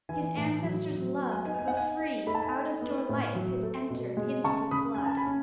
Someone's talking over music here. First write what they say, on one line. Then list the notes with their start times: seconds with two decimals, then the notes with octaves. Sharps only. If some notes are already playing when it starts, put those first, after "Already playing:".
His ancestors' love of a free, out-of-door life had entered into his blood.
0.09 E3 G#5
0.37 A2
0.63 F#3
0.91 F#3
1.18 B3
1.32 G#5
1.45 D#4 G#5
1.59 G#5
1.68 F#5
1.72 D#4 G#5
1.99 D#4
2.27 A3 B5
2.35 A5
2.42 G#5 B5
2.54 D#4
2.81 B3
3.09 A2
3.35 F#3
3.63 A3
3.90 B2
4.17 G#3
4.44 C#3 A5 C#6
4.71 C#3 B5 D#6
4.95 C#4 G#5
5.06 A5
5.17 G#5 B5
5.26 C#4